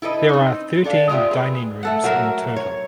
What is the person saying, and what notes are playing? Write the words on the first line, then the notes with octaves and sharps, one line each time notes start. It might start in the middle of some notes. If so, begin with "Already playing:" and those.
There are thirteen dining rooms in total.
E4 A4 B4 D#5
C4 D#4
D4 A4 D5 F5
G#3 B3 F4 G4 E5
G#4 B4
A3 A4 F#5
F#3 F#4 A#4 E5
C#5